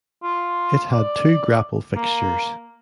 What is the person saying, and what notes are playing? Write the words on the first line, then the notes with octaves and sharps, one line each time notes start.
It had two grapple fixtures.
F4
D5
A#3